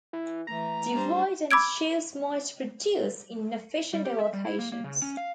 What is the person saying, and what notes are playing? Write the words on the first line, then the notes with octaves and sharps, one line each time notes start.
Divide-and-choose might produce inefficient allocations.
E3
E3 A3 A#5
G3 D4 C5
B5 D6 E6 G#6 D7
G3
G4
E5
G3
E4
A#3
A#3
C#3
C#4
F5